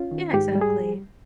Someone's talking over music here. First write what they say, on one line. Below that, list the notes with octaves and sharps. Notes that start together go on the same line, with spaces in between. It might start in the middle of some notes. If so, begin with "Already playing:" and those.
Yeah, exactly.
Already playing: C#4 F4
D#3
G#2 G4
G3
G#4